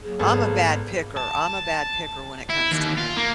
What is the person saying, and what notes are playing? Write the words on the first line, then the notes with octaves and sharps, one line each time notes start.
I'm a bad picker, I'm a bad picker when it comes to men.
F#3 A#3 G#4
G#1 B3 A4
A5
E4
D#2
F4
A#3